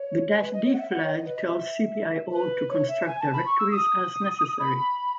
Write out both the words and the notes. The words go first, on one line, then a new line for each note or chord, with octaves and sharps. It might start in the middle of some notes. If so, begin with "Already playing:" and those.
The "-d" flag tells cpio to construct directories as necessary.
Already playing: C#5
B4
D#5
C#5
F#5
E5
F#5
C#5
D#5
B4
D#5
E5
B4
C#5
E5
G#5
A5
B5
C#6
E6
D#6
B5